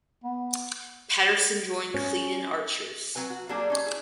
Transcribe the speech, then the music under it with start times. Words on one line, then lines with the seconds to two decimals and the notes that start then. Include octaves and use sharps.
Patterson joined Cleadon Archers.
0.24 B3
1.94 C#4
3.15 F#3 C4 B4 G#5
3.30 F#4
3.49 F#3 G3 A#3 D4 G#4
3.70 C#4 D#4
3.85 E4 G#4